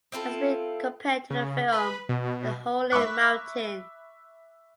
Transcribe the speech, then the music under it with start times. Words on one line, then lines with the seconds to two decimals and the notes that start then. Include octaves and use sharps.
It has been compared to the film "The Holy Mountain".
0.12 C4 E4 F4 A4
1.30 C#3
1.72 B4
2.09 B2
2.92 E5 B5 C#6 D6 F#6